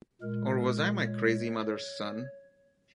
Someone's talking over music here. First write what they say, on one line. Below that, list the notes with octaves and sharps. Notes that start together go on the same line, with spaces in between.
Or was I my crazy mother's son?
A#2 G#3 A#4
C#5